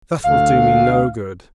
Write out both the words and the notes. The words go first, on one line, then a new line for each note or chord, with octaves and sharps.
"That will do me no good."
D2 F5